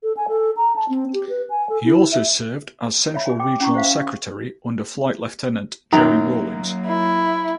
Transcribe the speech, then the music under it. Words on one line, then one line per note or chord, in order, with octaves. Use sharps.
He also served as Central Regional secretary under Flight Lieutenant Jerry Rawlings.
A4
G#5
A4
A#5
A5
C4
G4
B4
G#5
A4
E4
E5
C#5 E5 B5
G#4 G#5
G5 D6
C#4 E4 C#6
G4 C5 E5 F5
F#2 D#3 F#3 A#3 A#5
E4